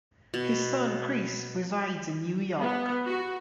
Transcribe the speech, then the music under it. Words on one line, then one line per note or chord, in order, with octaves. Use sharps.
His son Chris resides in New York.
B2
B3
F#4